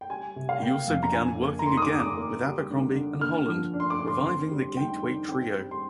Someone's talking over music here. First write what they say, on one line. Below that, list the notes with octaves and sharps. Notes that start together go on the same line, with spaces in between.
He also began working again with Abercrombie and Holland, reviving the Gateway trio.
G5
G3 G#5
C3
F5
A#3 G5
F2
A#5
D4 G#5
A#3
A#5
D#3 C6
D#6
D6
D#3
D6
A#3
G3
D3
D3
A#3 F6
F3
D4
C6
D6
D3
C6
C4 C6
G3
D#4 G5
D#3
C4 G5
G3
C6